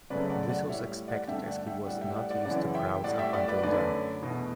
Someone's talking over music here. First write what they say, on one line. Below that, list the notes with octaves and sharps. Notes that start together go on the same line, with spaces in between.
This was expected, as he was not used to crowds up until then.
F#2 C#3 F#3 A3 B4 D5
D5 F#5
D5 F#5
A2 G3 C#5 E5
D5 F#5
G2 D3 A3 E5 G5
D5 F#5
E5 G5
A2 G3 D5 F#5
E5 G5
D5 F#5
D5 F#5
F#2 C#3 E3 D5 F#5
E5 G5
A2 G3 D5 F#5
E5 G5
D5 F#5
B4 D5
F#2 D3 F#3 A3 B4 D5
E2 B2 A3